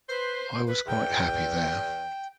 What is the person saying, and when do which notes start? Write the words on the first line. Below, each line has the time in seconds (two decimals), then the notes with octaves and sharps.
I was quite happy there.
0.09 B4 C5
0.67 B4
0.87 E2 G5